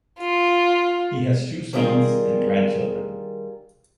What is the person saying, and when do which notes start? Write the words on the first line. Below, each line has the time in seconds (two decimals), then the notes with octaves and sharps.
He has two sons and grandchildren.
0.20 F4
1.73 D#3 G3 D4 F4 G#4 A#4